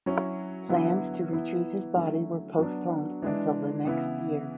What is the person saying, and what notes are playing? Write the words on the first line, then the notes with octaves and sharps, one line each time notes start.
Plans to retrieve his body were postponed until the next year.
F#3 C#4 E4
D3 F#3 B3 E4
E3 B3 E4
D3 F#3 A3 C#4 E4
F#3 B3 D4
E3 G#3 D4
C#3 E3 B3 E4